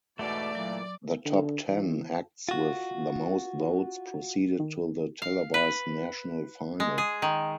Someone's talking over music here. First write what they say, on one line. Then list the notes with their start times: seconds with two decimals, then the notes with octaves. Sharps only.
The top ten acts with the most votes proceeded to the televised national final.
0.19 E2 G#2 B2 A3 D5
0.55 A#2 E3 F#3 A#3
1.25 D3
1.68 E3
2.49 F4 F#4
4.60 D#3
5.22 F5
5.54 B4
6.80 G#3
6.98 G#4
7.22 D#3